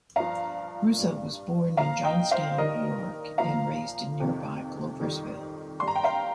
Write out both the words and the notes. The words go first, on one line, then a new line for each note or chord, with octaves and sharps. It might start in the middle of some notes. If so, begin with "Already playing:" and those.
Russo was born in Johnstown, New York, and raised in nearby Gloversville.
G2 F3 F5 A#5
G2 G3
A#2 F3 F5 A#5
D#5 G5
C5 F5
G2 D#3 G3 A#4 D#5
A#2 F3 F5 A#5
F2 C3 D#3
F2 D#3 G3
G2 G3 C6
A#5
G5
F5 A#5